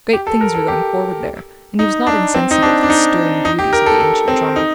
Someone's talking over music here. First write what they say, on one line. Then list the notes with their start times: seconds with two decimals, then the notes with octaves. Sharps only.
Great things were going forward there, and he was not insensible to the stern beauties of the ancient drama.
0.13 G4
0.27 A4
0.41 A#4
0.55 A4
0.68 G4
1.79 D#4
2.07 D4
2.34 C4
2.51 D#4
2.62 D4
2.83 D4
2.90 D#4
3.45 D#4
3.59 G4
3.73 A#4
3.86 A4
4.00 A4
4.28 C4
4.56 D#4